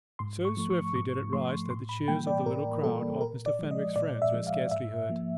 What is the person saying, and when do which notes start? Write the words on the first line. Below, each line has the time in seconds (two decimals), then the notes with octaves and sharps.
So swiftly did it rise that the cheers of the little crowd of Mr. Fenwick's friends were scarcely heard.
0.19 G#2 C6
0.45 C#6
0.57 F3 A3
0.70 C#6
0.95 G#2 C#6
1.33 F3 A3 C6
1.70 A2 C6
1.89 B5
2.08 E3 G3 A#3 G5
2.27 D5
2.46 A2 A#4
2.83 E3 G3 A#3 A4
3.20 A#2 A#4
3.46 D5
3.59 F3 G#3
3.71 D#5
3.96 A#2 D5
4.22 E5
4.34 F3 G#3
4.47 F5
4.71 G#2 E5
5.09 F3 A#3